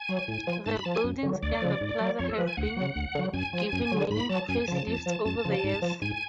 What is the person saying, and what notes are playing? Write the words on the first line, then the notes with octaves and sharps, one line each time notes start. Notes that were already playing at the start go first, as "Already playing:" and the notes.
The buildings and the plaza have been given many facelifts over the years.
Already playing: G#5
F#3
A2
F3
G#2 A5
B5
F3 A5
G#5
F#2
D3 F#3
D2 D5
C#3 F3
G#2
F#3
F2 C#5
A4
F3 B4
G#5
D2 F#5
C#3 F#3
D2
D3 F#3
F#2 G#5
F3
F#2
D3 F#3
G#2 B5
F#3 A5
F#2 G#5
C#3 F3 A5
F2 A5
F3
F#2 A5
C#3 F3
G#2
F3
G#2 G#5